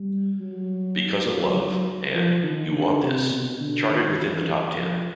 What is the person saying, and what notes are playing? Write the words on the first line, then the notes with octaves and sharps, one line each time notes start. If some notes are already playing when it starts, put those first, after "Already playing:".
"Because of Love" and "You Want This" charted within the top ten.
Already playing: G3
F#3
F#3
F#3
F3
D#3
D3
C3
B2
D3
D#3
E3
F3